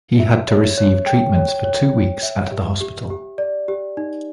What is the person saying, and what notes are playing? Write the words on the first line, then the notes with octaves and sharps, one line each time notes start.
He had to receive treatments for two weeks at the hospital.
E5
C#5
C#5
G5
C#5
C#5
C#5
E5
G4
G4
G4
D5
G4
D#4